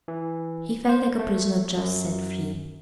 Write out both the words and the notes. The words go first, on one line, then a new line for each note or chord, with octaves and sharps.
He felt like a prisoner just set free.
E3
C5
A3
F#2